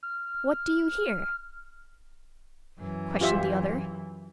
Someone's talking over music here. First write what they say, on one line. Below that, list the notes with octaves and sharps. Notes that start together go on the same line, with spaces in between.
'What do you here?' questioned the other.
F6
F#2 E3
F4 G4 E5